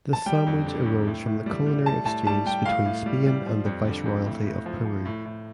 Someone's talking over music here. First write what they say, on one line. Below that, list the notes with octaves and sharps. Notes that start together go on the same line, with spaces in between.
This sandwich arose from the culinary exchange between Spain and the Viceroyalty of Peru.
A5
G3 G5
F2
D3
F2
A2
A2
G3
G3
A2 A5
A2 A5
G3 A5
G3 G5
A2 F5
A2
G3
G3
F3
F2
D3
F2
A2
A2
F3
F3
A2
A2